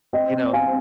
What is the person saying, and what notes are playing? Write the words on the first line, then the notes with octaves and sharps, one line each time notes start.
you know
C4 D#5 G5
F5 G#5